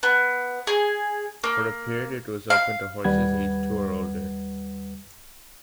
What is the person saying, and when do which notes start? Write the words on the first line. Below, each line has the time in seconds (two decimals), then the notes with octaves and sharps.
For a period it was open to horses aged two or older.
0.03 B3
0.67 G#4
1.44 A#3
2.50 F5
3.05 D#2 G3 B4 F#5 G#6